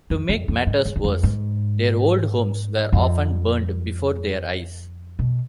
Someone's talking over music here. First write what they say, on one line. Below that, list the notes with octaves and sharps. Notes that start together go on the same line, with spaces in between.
To make matters worse, their old homes were often burned before their eyes.
F2
F2
F2
G#2
E2
E2
F2
G#2
F2
B2